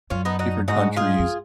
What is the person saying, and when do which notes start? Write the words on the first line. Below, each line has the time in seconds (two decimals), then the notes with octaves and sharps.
different countries,
0.10 F#2 C#4 F4
0.25 B3 D#4
0.39 D#4 F#4
0.68 G#2 D#4 F#4
0.96 F4 G#4
1.19 F2